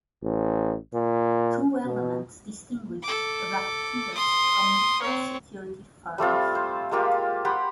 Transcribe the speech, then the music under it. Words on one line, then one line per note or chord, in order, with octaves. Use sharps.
Two elements distinguish racketeers from legal security firms.
A1
A#2
B2
A4 D6
C6 D#6
C4 C#5
G3 A3 C4 F4
C5
G#3 A#3 F4 G4
G4 F#5 B5 C6